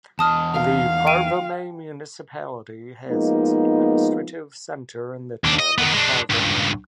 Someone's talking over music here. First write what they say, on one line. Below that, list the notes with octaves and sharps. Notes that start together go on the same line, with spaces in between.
The Parvomay Municipality has its administrative centre in the town of Parvomay.
E2 D#5 A5 D#6 F6
F5
G5 D#7
F3 G#3 A#3 B3 D#4
D#2 D4
D#5
D#3 B3
G#3 D4
C#2 G2